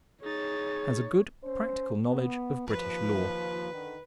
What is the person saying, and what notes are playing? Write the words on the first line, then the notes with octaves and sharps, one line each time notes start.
Has a good practical knowledge of British law.
D#4 G#4 C#5 A6
C#4 C5
B3
D#2 F3 B4
D3 D#3